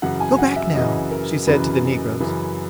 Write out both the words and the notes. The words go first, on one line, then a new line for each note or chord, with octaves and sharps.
"Go back now," she said to the negroes.
F#2 C#3 E3 F#5
G#5
G#5
F#5
E5
F#2 C#3 E3 D#5
A#4
F#2 C#3 E3 B4
F#2 C#3 E3 B4